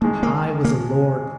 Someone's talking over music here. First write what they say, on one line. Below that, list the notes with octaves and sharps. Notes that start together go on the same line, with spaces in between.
I was a lord.
F2 D#3 G#3 A#3
A#3
A#3